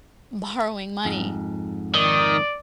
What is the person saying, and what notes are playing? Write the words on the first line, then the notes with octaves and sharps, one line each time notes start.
borrowing money
F2 G#2
D#3 D5 D#6